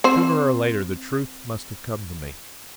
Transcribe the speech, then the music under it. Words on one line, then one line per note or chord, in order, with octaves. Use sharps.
Sooner or later the truth must have come to me.
C4 C5